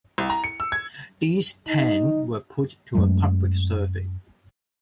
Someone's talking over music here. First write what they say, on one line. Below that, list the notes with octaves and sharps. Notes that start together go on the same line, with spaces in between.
These ten were put to a public survey.
C2
A#5
C#7
E6
G#6
D#4
F#2 F#3 G#3 A3